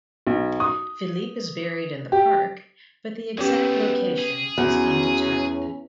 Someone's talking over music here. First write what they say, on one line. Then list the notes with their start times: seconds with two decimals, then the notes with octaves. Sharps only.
Philippe is buried in the park but the exact location is undetermined.
0.27 B1
0.60 D#6
2.12 G4
3.38 G#3 A3 B3 C#4 G4
4.18 G#4
4.58 E2 F#3 C#4